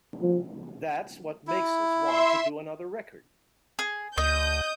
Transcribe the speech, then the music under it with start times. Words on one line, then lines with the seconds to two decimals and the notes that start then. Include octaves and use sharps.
That's what makes us want to do another record.
0.22 F3
1.47 E4
2.03 E5 C6
3.79 G#4
4.18 D2 D#5 D#6 G6